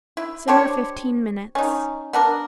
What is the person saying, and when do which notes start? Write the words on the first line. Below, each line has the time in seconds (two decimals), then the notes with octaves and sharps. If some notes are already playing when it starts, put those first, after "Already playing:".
Simmer fifteen minutes.
0.17 E4
0.48 D4 G4 C5 C#5
1.55 C#4 D#4
2.13 B3 D4 A#4